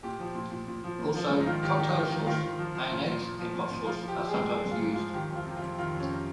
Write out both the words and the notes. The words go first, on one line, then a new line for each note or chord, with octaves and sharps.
Also, Cocktail sauce, mayonnaise and hot sauce are sometimes used.
A#2 G4
F3
A#2
A#2
A#2
F3
A#2
F3
G#2
D#4
D#3 F4
D#3 G4
D#3 G4
D#3 F4
D#3
D#3 F4
D#3
F3
F3
A#2
A#2
A#2
F3
A#2
A#2
F3 F4
F3
G4
F3
G#4
G#2
F3 G#4
G#2
F4
G#2
F4
F3
D#3 G4
F2 F4
C3
F4
F2
D#3 F4
F2 C#4
C3